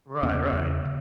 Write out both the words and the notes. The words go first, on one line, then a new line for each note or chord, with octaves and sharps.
Right, right.
E2 C#3 B3 C#4
E2 C#3
C#3